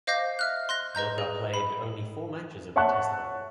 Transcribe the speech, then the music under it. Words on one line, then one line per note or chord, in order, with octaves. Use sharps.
Milkha played only four matches at the Test level.
C5 D#5 F5 D6 G6 A#6
E5 F6 F#6
C6 F#6 A#6
B4 D#5 A#5 G6
G#4
B5
C#5 E5 F#5 A5 C#6 F#6